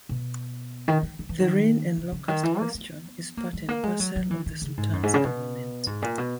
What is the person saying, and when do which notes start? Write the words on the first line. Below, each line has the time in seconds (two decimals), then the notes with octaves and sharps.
The rain and locust question is part and parcel of the sultan's government.
0.09 B2
0.88 D#3
1.03 D#3
1.19 D#3
1.29 E3
1.39 D#3
1.97 C#3
2.12 C#3
2.28 D#3
2.43 E3
2.59 A#3
2.74 B3
3.37 A#3
3.53 G#3
3.69 A#3
3.83 G#3
4.00 F#3
4.16 F#3
4.31 E3
4.46 D#3
4.62 C#3
4.77 G#2
4.93 F#2
5.03 G#2
5.14 C#3
5.24 B2
5.87 G#2
6.02 A#2
6.18 B2